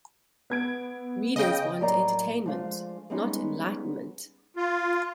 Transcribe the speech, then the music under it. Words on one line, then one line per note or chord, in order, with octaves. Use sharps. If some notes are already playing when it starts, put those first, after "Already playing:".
Readers want entertainment, not enlightenment.
B3 G#6 D7
C#3 D#5 G5
A2 F#3 A#3 D5 D#5 A#5
F3 G#3 A3 D4 F5
G3 G#3 B3 C#4 D#4 G#4
F4